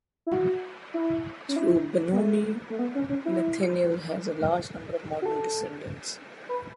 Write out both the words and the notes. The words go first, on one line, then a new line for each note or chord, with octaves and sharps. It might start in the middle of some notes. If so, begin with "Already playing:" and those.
Through Benoni, Nathaniel has a large number of modern descendants.
E4
F#4
E4
C#4
E4
B3
A3
A3
B3
C#4
C#4
E4
F#4
A4
B4